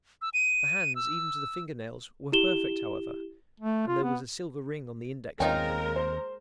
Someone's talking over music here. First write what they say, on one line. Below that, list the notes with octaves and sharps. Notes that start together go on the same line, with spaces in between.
The hands, even to the finger nails, were perfect, however, and there was a silver ring on the index finger.
E6
D#7
E6
E4 G4 E7 G7
A3
F4
B3
D#2 G#3 C4 C#4 D#4 F4 A#4 G5
C5